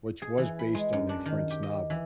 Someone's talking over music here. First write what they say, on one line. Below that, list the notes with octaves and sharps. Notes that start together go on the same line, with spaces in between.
which was based on a French novel,
G#4
E3
B5
G#3
F#2
D4
D#3
G4
D#5
E3